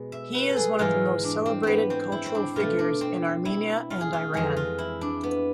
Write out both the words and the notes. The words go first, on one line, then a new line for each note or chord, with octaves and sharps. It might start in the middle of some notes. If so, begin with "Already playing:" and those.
He is one of the most celebrated cultural figures in Armenia and Iran.
Already playing: B2 G#3
E5
B4
A4
G#4
G#2 E3 G#3 F4
D4
C4
B3 C4
C4
E4
C4
D4
B2 A3 F4
D4
C4
E4
F4
G#4
F4
F2 E3 G#3 G#4
F4
E4
D4
B3